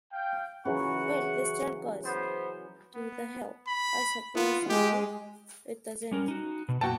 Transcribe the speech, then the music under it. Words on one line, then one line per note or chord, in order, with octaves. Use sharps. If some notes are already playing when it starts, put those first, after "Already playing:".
Well, this turn goes to the hill, I suppose—no, it doesn’t!
F5 G5
C#3 E3 F#3 F#4 F#5 C#6
B3 C5
B3
B5
B3 F4
G#3 G4
G3 C#4 A#4
D#4 F#4
B2
F#2 A#2 B3 F#4 G5 A5